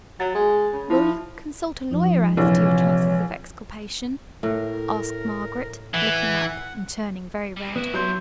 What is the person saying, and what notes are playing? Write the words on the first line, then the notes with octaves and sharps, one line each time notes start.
'Will you consult a lawyer as to your chances of exculpation?' asked Margaret, looking up, and turning very red.
F#3 A6
G#3
C#3
F3 E4
F#2 F3 D#4
A#1 C3 E3 F3 C#5
A2 A#4
E3 F#5
G3 C4
B3 E4 F#4
F#3 C6 G6